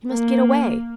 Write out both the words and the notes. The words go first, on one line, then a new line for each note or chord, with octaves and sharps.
He must get away.
A#3